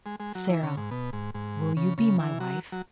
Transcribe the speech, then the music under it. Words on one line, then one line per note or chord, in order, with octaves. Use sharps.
"Sara, will you be my wife?"
G#3
G#3
F#3
E3
C#3
G#2
B2
G#2
G#2
C#3
C#3
E3
F#3
F#3